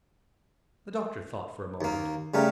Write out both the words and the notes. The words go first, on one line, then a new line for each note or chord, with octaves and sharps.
The doctor thought for a moment.
D#2 A#3
C#3 G3 A3 A#4